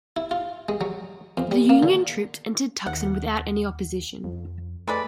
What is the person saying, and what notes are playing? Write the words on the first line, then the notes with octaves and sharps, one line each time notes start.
The Union troops entered Tucson without any opposition.
E4
F4
G#3
F#3
F2
G3
A#3
D3
D#2 F#5
F2
G#3 A3 B4 D5